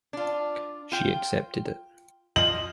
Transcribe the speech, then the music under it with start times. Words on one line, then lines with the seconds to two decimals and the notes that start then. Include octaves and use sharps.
She accepted it.
0.13 D4 F4
0.92 F4 G5
2.36 F4 D#5 F#7